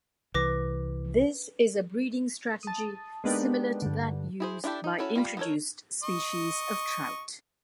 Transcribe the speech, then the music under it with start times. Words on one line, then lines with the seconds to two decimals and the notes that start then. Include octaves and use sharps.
This is a breeding strategy similar to that used by introduced species of trout.
0.34 C2 E3 B4 D6 A#6
2.63 A5 D#6
3.24 G#3 A#3 B3 D4 D#4 G4
3.82 G2 D3
4.40 E4 G#4 C5
4.64 D4 E4 F4 G4 A4
4.84 D#4
4.98 C#4 E4 F#4 A4
5.15 G3 F4 A#5 B5
5.37 B3 D#4 A4 A#4 C#5
6.03 D#5 C#6